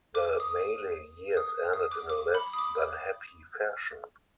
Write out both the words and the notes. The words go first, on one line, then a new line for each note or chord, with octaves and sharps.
The Maley years ended in a less than happy fashion.
D6
D#6
D#6
D#6
D6
D6
B5
D#6
D6